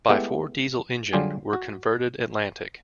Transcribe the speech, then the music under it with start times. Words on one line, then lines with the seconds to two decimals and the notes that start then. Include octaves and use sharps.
By four diesel engine were converted Atlantic.
0.09 G#3 A3 B3 E4 G4 E5
1.13 D3 F#3 G3 F4 G4 G#4
1.53 F#4